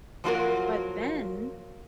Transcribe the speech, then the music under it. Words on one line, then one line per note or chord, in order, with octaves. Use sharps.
But then,
F3 F#3 A#3 F4 F#4 A#4